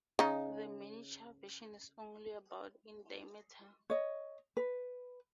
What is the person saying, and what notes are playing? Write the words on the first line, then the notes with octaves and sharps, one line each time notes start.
The miniature version is only about in diameter.
C#3 D#4
C#5 D#5
B4